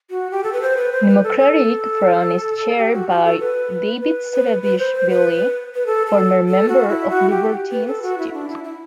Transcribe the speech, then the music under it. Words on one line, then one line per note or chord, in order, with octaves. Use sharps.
Democratic Front is chaired by David Zurabishvili, former member of Liberty Institute.
F#4
G4
A4
B4
C5
B4
C5
B4
A4
A4
G4
F#4
F#4
A4
B4
B4
B4
B4
C5
C5
B4
B4
A4
A4
A4
F#4
E4
F#4
G4
B4
A4
F#4
E4
D4
E4
E4